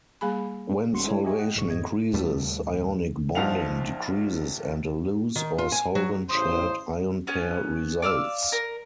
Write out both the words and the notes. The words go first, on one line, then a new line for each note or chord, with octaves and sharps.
When solvation increases, ionic bonding decreases and a "loose" or "solvent-shared" ion pair results.
G3 A#3 G#4 G#5 B5
G#1 G3 C#4 F#4 C6 C#7
G#3 E4 A4 C#5
G4 D#5 E5 G#5 C#6
D#5 F#5 G5
A1 G2 G#4 C#6
G#2 D#5 G#6
D#2 A#2 G3 A3
A#1 F3 D#4 F5 F#5 F7
D#3
F4
G#5
F#3
A1 C#3 C5 C6 D#6
B3 C#4
D5 F5 D#6 E6
A#4